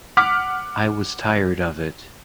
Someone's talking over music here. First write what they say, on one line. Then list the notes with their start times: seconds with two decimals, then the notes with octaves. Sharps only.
I was tired of it.
0.17 F#5 D6 F6 B6